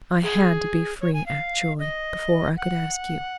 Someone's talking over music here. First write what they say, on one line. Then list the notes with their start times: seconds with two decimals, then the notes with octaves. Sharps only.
I had to be free actually, before I could ask you....
0.24 G#4
1.01 C#5
1.14 G#5
1.26 F5
1.79 D#5
2.57 F#5